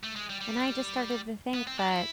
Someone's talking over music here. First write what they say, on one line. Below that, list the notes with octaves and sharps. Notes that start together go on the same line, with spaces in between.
and I just started to think that
A3
G#3
G3
G3
B3
C4
D4
E4